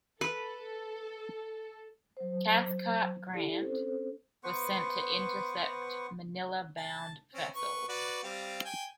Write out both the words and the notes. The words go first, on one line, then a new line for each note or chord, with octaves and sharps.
Cathcart Grant, was sent to intercept Manila bound vessels.
A4 B4
F#3 C5
E4 G4 A4 D5
C4 C#4 A4 C5
B3 B4 C5 C#6
A5
C4 C#4
B4 C#6
F#4 B4 D5
G3 C4 F5
G5 G#5